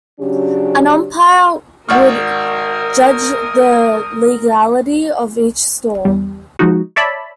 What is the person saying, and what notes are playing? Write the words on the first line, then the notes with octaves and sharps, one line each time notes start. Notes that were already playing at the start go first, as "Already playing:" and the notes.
An umpire would judge the legality of each score.
C#3 F#3 C#4 D4 G4
G#1 F#4 A#4 D5 C#6 D#6 F6
E2 G3
F3 G#3 D#4 F#4
C#5 D5 E5 A5 B5